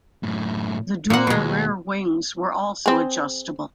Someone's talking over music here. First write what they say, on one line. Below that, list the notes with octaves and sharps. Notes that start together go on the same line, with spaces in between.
The dual rear wings were also adjustable.
F#2 A2
A#2 A#3 F#5
D#2 B2 G#3
C4 G#4